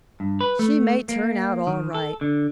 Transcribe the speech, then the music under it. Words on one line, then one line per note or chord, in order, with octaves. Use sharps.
She may turn out all right.
G2
B4
A3
A#3
D#3
A4
D3